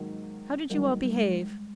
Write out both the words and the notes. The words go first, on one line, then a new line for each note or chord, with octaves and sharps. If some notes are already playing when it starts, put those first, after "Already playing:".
How did you all behave?
Already playing: G#2 D#3 F#3 A#3
G#2 D#3 F#3 G3 A#3
G3
G#3